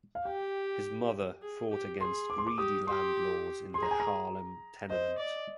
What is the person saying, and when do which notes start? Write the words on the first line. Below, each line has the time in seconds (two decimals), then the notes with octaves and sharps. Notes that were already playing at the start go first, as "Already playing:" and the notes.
His mother fought against greedy landlords in their Harlem tenement.
0.15 F5
0.25 G4 G5
1.43 G#4
1.71 G4
2.00 G#4 C6
2.30 D6
2.38 C6
2.47 D6
2.58 G4 D#6
2.87 G4 C6
3.74 G#4 C6
3.83 A#5
3.91 G#5
4.00 A#5
4.90 C5 D#5
5.19 D5